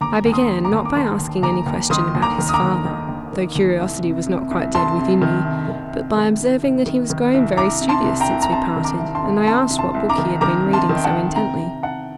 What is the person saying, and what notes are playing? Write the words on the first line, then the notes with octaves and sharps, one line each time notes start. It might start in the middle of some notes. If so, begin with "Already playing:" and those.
I began, not by asking any question about his father, though curiosity was not quite dead within me, but by observing that he was grown very studious since we parted; and I asked what book he had been reading so intently.
D#2 A#5 D6
D#2
C6 D#6
D#2
A#5 D6
D#2
D6
D#3 A5 C6
D#2
D#2 A#5 D6
D#2
D#3 C6 D#6
D#2
A#5 D6
D#3
D#6
A#5 D6
D#2
D#3
D#2
D#3
D#2
C2
C3
C3
C2
C2 A5 C6
C3
D#3
C3
D#3
C3
D#3
C2
C3
D#3
D#3
C2
C2 A#5 D6
C3
A5 C6
C2
G5 A#5
C2
A#5
C3 A5 C6
D#3
A#5 D6
C2
A5 C6
C2
C3 A5 C6
C2
A5 C6
C2
A#5 D6
D#3
D#3 A#5 D6
C3
A5 C6
D#3
G5
F#5 A5
C3
C3 G5 A#5
C3
C3 F#5 A5